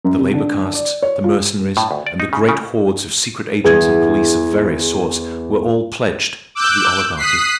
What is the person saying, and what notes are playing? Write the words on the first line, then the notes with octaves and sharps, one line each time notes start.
The labor castes, the Mercenaries, and the great hordes of secret agents and police of various sorts were all pledged to the Oligarchy.
F#2
C3
D3
D5
C#5
F4
A2
D2
D5
D#4
C#3
C#3
E2 G#4 G#6
D6 E6 F#6 G6
D#6 F#6 B6 C7